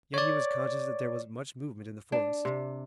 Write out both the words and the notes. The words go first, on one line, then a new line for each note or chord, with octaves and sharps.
Yet he was conscious that there was much movement in the forest.
C#5 D5
D4
C3